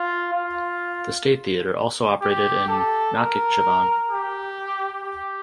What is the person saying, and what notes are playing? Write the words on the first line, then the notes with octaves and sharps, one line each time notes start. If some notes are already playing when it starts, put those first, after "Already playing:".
The State Theater also operated in Nakhichevan.
Already playing: F4
F4
G4
A4
A#4
G4
G4